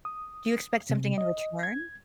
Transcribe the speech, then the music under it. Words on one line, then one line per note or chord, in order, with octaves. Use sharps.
Do you expect something in return?
D#6
C3
D#5
G#6